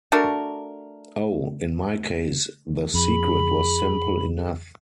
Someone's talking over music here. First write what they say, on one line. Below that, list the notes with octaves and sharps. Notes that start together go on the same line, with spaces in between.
Oh, in my case the secret was simple enough.
A3 D4 F#4 A#4
F2 G#4 B5